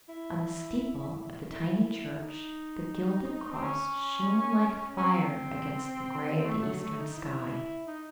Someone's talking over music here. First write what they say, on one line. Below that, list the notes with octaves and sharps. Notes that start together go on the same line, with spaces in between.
On the steeple of the tiny church the gilded cross shone like fire against the gray of the eastern sky.
E4
E4
D#4
C4
C#4
C#4
C4
C4
A3
F#3
A3
D#4
E4
D#4